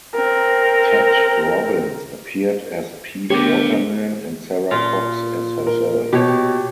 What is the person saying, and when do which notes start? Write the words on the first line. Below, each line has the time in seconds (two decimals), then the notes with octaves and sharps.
Ted Robbins appeared as Pete Waterman, and Sara Cox as herself.
0.14 C4 A#4
3.30 D3 A3 B3 G4 A#4 C#5
4.71 A#2 F4
5.67 A#4
6.12 B2 G4 C#5